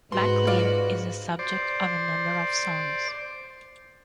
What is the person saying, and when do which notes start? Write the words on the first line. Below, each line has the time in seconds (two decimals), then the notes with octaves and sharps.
Maclean is the subject of a number of songs.
0.12 G#2 F#4 B4 C6
0.47 F4 D5
1.39 C5 D5